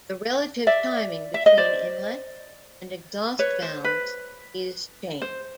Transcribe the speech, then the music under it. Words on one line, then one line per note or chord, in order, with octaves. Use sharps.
The relative timing between inlet and exhaust valves is changed.
D5 E5
E5
D#5
C5 D5
B4 C#5
C5
B4
C5